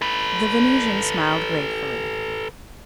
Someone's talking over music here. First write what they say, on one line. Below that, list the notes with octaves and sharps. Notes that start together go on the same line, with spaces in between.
The Venusian smiled gratefully.
A4 B4